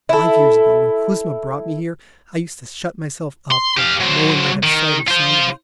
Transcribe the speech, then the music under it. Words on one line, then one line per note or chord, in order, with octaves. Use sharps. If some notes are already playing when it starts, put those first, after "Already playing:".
Five years ago, when Kuzma brought me here, I used to shut myself up, that no one might have sight or sound of me.
E4 A4
C6
G4 F5
F#3 C5
D#3
F4 C5